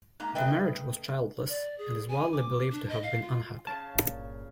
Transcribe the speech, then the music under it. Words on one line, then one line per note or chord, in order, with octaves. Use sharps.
The marriage was childless, and is widely believed to have been unhappy.
G#2 A#3 A#5
C#3 A3 B4 D#5 G5
D5
G#4
G#5
D6
D4
D#5
F5
F4
C#3 C#5 F5 A5
G1 A#2